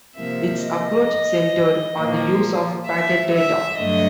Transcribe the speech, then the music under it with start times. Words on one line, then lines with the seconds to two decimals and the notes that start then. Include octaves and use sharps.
Its approach centred on the use of packet data.
0.16 C3 F3 A#3 E5
0.61 D#5
1.96 A#2 F3 A#3
2.87 E5
3.32 E5
3.77 G2 D3 F#3 A3 D#5